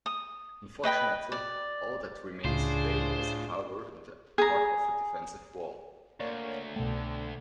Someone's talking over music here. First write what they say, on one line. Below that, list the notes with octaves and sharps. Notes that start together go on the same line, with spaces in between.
Unfortunately, all that remains today is a tower and part of a defensive wall.
D#6
B4 D#5 G5 B5
D5
C#2 A2 C#3 D4 F4 G#4 C5 C7
G#4 A#5
D2 A#3 C#5 D5 C#6
C2 B2 D3 A3 G5